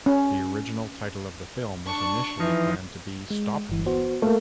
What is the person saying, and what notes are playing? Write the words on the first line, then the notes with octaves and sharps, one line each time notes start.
The original title of the film was initially planned to be "Stop Me".
C#4
D4 C#6
E3 F3 D#4
G#3
G1 E3
B3 F#4 C5
A3 A#3 F5